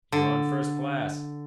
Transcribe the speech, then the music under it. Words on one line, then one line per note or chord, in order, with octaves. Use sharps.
"You're on first-class."
D3